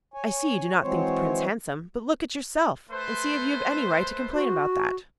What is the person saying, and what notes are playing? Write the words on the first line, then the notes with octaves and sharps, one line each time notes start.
'I see you do not think the Prince handsome, but look at yourself, and see if you have any right to complain about that.'
C#5 G#5
E3 F#3 G#3 C4 C5 C#5
A3 B4 C5
F#4